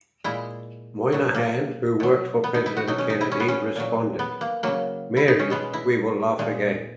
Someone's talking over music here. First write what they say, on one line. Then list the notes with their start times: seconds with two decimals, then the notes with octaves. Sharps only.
Moynihan, who worked for President Kennedy responded, Mary, we will laugh again.
0.24 A#2 G#3 E4
1.12 B2 F#3
1.34 A#3
2.00 B2 F#3
2.44 B3
2.54 D#4
2.66 E4
2.77 F#4
2.87 B2 F#3 D#4
2.98 C#4
3.10 D#4
3.21 E4
3.32 C#4
3.40 B3
3.48 C#4
3.76 A#2 F#3
4.19 B3
4.41 A#3
4.63 C#3 F#3 A#3
5.17 E4
5.28 D#4
5.39 C#4
5.50 B2 G#3 B3
5.73 E4
6.39 A#2 G#3